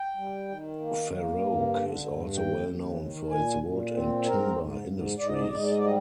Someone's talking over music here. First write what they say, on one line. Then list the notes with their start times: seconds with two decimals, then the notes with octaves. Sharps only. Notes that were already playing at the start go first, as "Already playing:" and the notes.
Feroke is also well known for its wood and Timber industries.
Already playing: G5
0.16 G3
0.48 D#3
0.80 A#3
1.11 A#3
1.42 G2
1.74 D3
2.05 G2
2.36 D#2 G5
2.68 D#2
2.99 D#3
3.31 A#2 G#5
3.62 A#2
3.93 C4
4.25 G#2 A#4
4.57 G#2
4.88 G#2
5.19 G#2 D5
5.26 D#5
5.33 D5
5.41 D#5
5.49 G#2 D5
5.56 D#5
5.63 D5
5.70 D#5
5.78 D5
5.82 G3 D#5